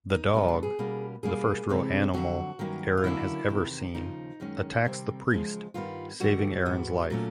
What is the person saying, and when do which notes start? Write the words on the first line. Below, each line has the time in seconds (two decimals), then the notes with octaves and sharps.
The dog-the first real animal Erin has ever seen-attacks the priest, saving Erin's life.
0.10 D#4
0.33 B2 G3 B3 C#4
0.48 D4
0.63 G#4
0.79 B2 G3 A#3 C#4
1.23 B2 G3 A#3 C#4 G#4
1.69 C3 E3 G#3 C4
2.14 F2 D3 F#3 F#4
2.59 G2 D#3 F#3 A#3 C#4
2.97 F4
3.04 D#2 D3 F#3 A#3 C#4 E4
3.49 E2 C3 D#3
3.94 D#2 C#3 F3 D#4
4.40 F#2 D#3 G#3 C#4
4.85 C3 D#3 G3 C4
5.30 E2 C#3 F3 G#3
5.74 G2 D#3 G3 B3 F4
6.20 F2 D3 G3 F#4
6.66 G#2 E3 G#3 B3
7.10 A#2 F#3 A3 C#4